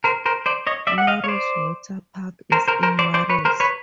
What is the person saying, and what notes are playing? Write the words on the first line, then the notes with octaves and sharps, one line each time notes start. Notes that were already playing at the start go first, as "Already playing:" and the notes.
Maros Water Park is in Maros.
A#4 C5
A#4 C5
C5 D5
C#5 D#5
D5 E5
F#5
D#5 F5
C#5
C5 D5
A#4 C5
A#4 C5
A#4 C5
C5 D5
C5 D5
B4 C#5
A#4 C5
B4 C#5